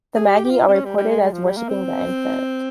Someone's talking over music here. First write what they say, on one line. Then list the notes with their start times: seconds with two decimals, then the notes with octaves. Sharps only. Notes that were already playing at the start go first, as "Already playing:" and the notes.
The Magi are reported as worshiping the infant.
0.16 G#4
0.26 G4
0.45 G4
0.51 F4
0.68 C4
0.74 C#4
0.85 G3
0.98 G3
1.09 G#3
1.22 G#3
1.33 F3
1.45 G3
1.57 A#3
1.69 C4